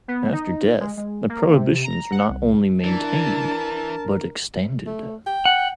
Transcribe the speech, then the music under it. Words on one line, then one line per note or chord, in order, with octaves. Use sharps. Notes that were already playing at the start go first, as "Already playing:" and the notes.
After death, the prohibitions are not only maintained but extended.
B3
D#4
G#3
G#3
A#3
C3
A#5
F#5
C2
E3 D4 A#4 A5
A3
G5
F#5